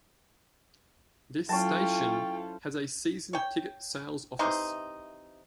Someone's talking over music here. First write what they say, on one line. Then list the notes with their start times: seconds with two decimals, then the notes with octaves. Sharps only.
This station has a season ticket sales office.
1.49 F#3 C#4 E4 F4 A4 C5 G5 A5
3.33 C#5 G5
4.39 C3 E3 D#4 C6